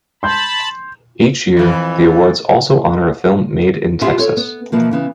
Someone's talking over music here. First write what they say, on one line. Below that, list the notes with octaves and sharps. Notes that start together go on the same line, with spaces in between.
Each year, the Awards also honor a film made in Texas.
A5 B5 C6 G6
F2 E3
E4 F4 G4 G#4 E5 G#5
A4 C#5
B3
B2 E3 F3 A#3
C#3 E3 B3